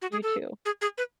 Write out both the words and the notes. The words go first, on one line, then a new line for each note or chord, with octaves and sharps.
you too,
F#4
G#4
A4
G#4
G#4
B4